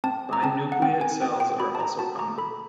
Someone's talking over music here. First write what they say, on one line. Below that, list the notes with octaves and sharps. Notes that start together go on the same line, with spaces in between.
Binucleate cells are also common.
C4 A5
A#5
C4 A5
F#5
C4 G5
G#5
C4 G5
G5
F#4 B5
A5
A#5
F#4 A5
A#5
A4 B5